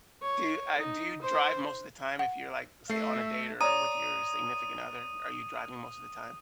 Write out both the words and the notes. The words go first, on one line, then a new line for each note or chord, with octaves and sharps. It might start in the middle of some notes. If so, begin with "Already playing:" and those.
Do, uh Do you drive most of the time if you're, like, say, on a date or with your significant other? Are you driving most of the time?
C#5
D#4
C5
F#5
A3 E5 C7
C#5 D5 A#5 D#6 D#7